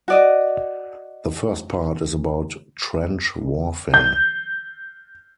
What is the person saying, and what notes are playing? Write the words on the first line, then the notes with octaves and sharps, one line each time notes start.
The first part is about trench warfare.
F#4 D5 D#5
G6